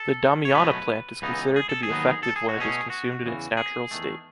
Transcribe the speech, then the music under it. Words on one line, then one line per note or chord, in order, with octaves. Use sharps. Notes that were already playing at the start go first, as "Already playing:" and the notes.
The damiana plant is considered to be effective when it is consumed in its natural state.
Already playing: A4
C#5
C#2 B2 F#3 A3 C#4 B4
C#2 C#3 E3 B3 D#4
G#4
A4
G#4
D#2 D#3 F#3 B3 D#4
A4
G#4
F#4
B2 A3 C#4 G#4
F#4
E2 C#3 E3
G#4
E2 D#3 A3